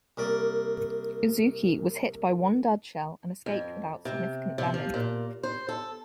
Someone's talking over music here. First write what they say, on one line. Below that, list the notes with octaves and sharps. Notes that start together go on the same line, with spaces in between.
"Uzuki" was hit by one dud shell and escaped without significant damage.
C2 A#3 D5
F2
C3
C3
F3
A#2
C5
A4